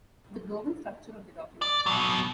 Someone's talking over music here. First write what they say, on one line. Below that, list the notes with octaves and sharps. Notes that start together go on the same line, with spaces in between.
The global structure of the document.
D5
B2 F#3